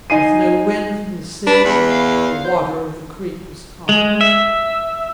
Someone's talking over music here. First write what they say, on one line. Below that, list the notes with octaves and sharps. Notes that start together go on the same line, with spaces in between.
With no wind from the sea, the water of the creek was calm.
D#4 G#5 C7 D#7
D4 B4
E2
F5
C5
G#3
E5